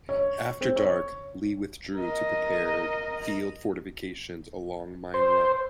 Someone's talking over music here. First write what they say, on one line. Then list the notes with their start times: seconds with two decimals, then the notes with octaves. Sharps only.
After dark, Lee withdrew to prepared field fortifications along Mine Run.
0.09 C#5
0.61 C4
0.76 C#5
1.97 A#4 D#5
5.14 C5